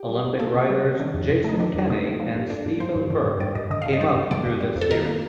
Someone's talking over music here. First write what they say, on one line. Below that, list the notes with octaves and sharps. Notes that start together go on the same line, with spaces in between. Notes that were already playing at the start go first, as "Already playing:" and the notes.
Olympic riders Jason Kenny and Steven Burke came up through this series.
Already playing: G4
G3
C3
A#3 A4
C3
G3
C3
D#3 D4
F2
C3
A3 D#4
D#3 D4
F2 D4
C3 D#4
A3
F3
G2
D3 D4
G2
F3 C5
G2
D3
G2
G3 D5
G2 D#5
D3 D#5
G2 F5
D#5
G3
G2
D3 D5
G2
G3
F2
A4
D#3 A#4
A#3